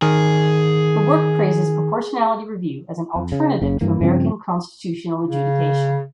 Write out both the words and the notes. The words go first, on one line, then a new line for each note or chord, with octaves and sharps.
The work praises proportionality review as an alternative to American constitutional adjudication.
D#3 G#4
F2
C#3
F#1 C#3
G2 E3 A#3
G2 C#3 F3 C4
C#3